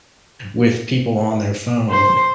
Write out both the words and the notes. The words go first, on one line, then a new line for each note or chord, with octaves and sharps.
with people on their phone,
C5